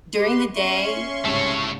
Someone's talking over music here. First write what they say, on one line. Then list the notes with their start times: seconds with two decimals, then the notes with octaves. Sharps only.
during the day,
0.17 G4 B4 C6
0.54 C#4 E5 C6 C#6
1.25 C2 G#2 C#3 A3 C#5